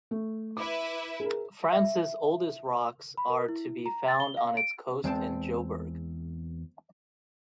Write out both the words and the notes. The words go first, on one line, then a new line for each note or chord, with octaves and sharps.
France's oldest rocks are to be found on its coast in Jobourg.
A3
E4 B4 E5 D6
G#4 A#4
E5
B5
A#4
E4
A#5
A6
G7
F5
D7
E2 G#3 C4 B4 G5 A5